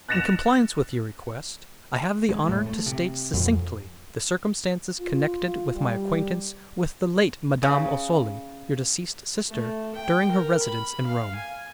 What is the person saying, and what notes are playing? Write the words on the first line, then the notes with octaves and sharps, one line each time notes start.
In compliance with your request, I have the honor to state, succinctly, the circumstances connected with my acquaintance with the late Madame Ossoli, your deceased sister, during her residence in Rome.
F#6 A6 A#6 C#7 E7 F7
G#3
A2
A3
C3
F2
F4
G3
C#3
A3
G5
A#4
B5
F5
G#5